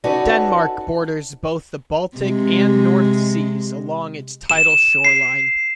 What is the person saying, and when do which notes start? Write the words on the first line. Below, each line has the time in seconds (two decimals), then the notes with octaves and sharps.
Denmark borders both the Baltic and North Seas along its tidal shoreline.
0.04 C#4 D#4 F#4 A4 B4 D5
2.17 C3 G#3
4.50 E7
5.05 C7